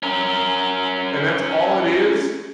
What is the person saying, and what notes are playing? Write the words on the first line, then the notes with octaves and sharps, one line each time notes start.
and that's all it is.
C#4 A#4